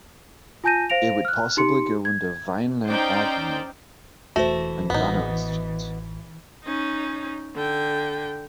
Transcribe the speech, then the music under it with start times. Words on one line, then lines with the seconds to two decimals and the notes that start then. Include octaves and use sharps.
It would possibly go under Vineland Avenue and Vanowen Street.
0.64 F4 G#5 A5 G6 A#6 D#7
0.90 C5 F5 A#6 D7 F7
1.25 F6 F#6
1.57 D#4 G4 C6 C#7
2.05 G#6
2.87 C#4 D#4 C5 D5 G5
4.36 E1 E3 A3 D#4 F#4 C5
4.90 A1 B3 D#4
6.64 C#4 D#4
7.55 D3 G5